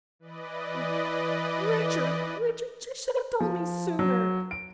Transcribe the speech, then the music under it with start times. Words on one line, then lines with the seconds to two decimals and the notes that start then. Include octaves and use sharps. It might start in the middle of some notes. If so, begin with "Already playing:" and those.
'Oh! Richard, Richard, you should have told me sooner!'
0.19 E3 B4 D5 D#5
3.40 F3
3.99 F#3
4.51 D7